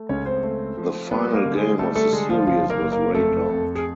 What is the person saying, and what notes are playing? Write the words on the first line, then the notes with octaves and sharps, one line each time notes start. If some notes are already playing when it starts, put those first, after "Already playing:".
The final game of the series was rained out.
Already playing: A3
C#2 C#4 C#5
C4 C5
A3
F3
G3 B3 B4
A#3 A#4
D3
G#3 G#4
G3 A3 A4
A3 A4
D3 G#3 G#4
F3 F4
F#1 F3 F4
A#3 A#4
F#1
A#3 A#4
F2 A3 A4
F2
G#4